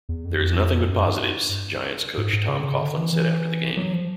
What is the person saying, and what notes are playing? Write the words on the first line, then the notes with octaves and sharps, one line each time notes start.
"There is nothing but positives", Giants coach Tom Coughlin said after the game.
E2
F2
F#2
G2
G#2
G#2
C#3
D3
C#3
D3
E3
E3
F#3
F3